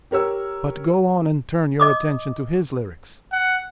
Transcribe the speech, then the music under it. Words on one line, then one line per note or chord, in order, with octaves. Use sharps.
But go on and turn your attention to his lyrics.
G4 A#4 C#5 E6
D#5 D6 D#6
F#5